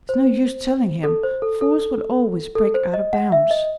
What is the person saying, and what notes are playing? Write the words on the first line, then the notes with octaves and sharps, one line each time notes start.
It's no use telling him, fools will always break out o' bounds.
C5
A4
C5
A4
A4
A4
C5
D#5
F#5
E5
D#5